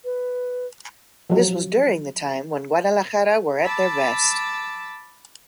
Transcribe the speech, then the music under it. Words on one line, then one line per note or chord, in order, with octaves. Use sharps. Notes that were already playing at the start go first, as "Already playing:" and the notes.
This was during the time when Guadalajara were at their best.
B4
F3 F#3
A5 B5 D6 E6